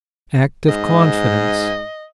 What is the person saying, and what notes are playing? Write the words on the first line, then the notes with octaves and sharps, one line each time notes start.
Act of Confidence.
G#2 D#5